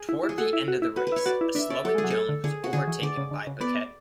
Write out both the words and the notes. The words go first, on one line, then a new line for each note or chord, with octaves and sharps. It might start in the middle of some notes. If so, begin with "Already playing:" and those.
Toward the end of the race, a slowing Jones was overtaken by Piquet.
Already playing: G#4
E4
E4
G#4
F#4 A4
E4
F#4
E4
F#4 B4
B4
E4
C#5
F#4 D5
E4
D4 E5
C#4 D5
F#3 A4
G#3
G#4
F#3
A4
D3
D3 G#4
F#4
D3 G#4
E3
D3 D5
C#3
D3
C#3
B3 D5